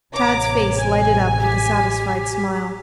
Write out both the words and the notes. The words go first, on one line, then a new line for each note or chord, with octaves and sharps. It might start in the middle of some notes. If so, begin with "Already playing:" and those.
Tad's face lighted up with a satisfied smile.
A1 C3 C#5 A#5 D6
G#5
G4